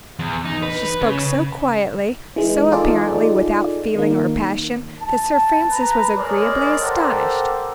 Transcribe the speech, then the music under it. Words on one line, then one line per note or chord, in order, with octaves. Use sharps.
She spoke so quietly, so apparently without feeling or passion, that Sir Francis was agreeably astonished.
E2
D#4
B4
C#3
E3 G#3
D#4 F4 G#4 A4 D5
D#3 A#3
A5
B4 A#5
G#3 A#4 C#5 D5
G4 A4 A#4 C5 F#5